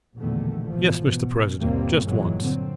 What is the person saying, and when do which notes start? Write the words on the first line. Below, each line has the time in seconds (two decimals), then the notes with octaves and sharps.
"Yes, Mr. President, just once."
0.16 A#1 E2 B2 D3 D#3 A3
0.71 G#2 B2 E3 F3
1.06 B2
1.57 G1 D#2 B2 G3 A#3 C4
2.02 G2 A#2 E3 F#3 G#3
2.41 D3 C4